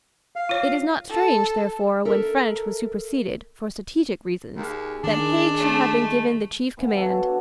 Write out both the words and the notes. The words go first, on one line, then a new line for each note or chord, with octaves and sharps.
It is not strange, therefore, when French was superseded, for strategic reasons, that Haig should have been given the chief command.
F5
F4 C#5
A4
A4 A#4 E5
D#2 G#4
D#3 D4
A3
G#3
C#3 E3 B3
F#4 A4
C#5
D4 F#5